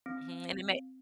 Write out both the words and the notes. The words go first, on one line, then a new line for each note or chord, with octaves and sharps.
Mhm, and it may
C4